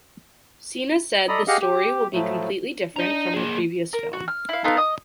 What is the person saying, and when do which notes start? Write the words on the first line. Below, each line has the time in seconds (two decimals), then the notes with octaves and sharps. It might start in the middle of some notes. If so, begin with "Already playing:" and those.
Sinha said the story will be completely different from the previous film.
1.28 A4 D5 D#5 A#5 B5 D#6
1.48 G4 G#4 D#5 F5 F#5
1.61 G4
2.13 A2 F3 F#3 A3
2.96 D4 D#5 A#5
3.34 A#3 G#4
3.93 A#4
4.13 F#4
4.28 F6
4.49 E4 F5
4.64 B3 D#4 F4 A4
4.77 D#5 D#6